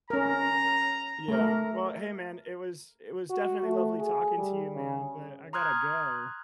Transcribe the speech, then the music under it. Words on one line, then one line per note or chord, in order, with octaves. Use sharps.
Yeah. Well, hey, man, it was it was definitely lovely talking to you, man, but I gotta go.
C#4 A#4 A#5
A3 A#4
F#4
A3
G#4
G3
C#3
A#5 C6 D#6 F6 F#6 G#6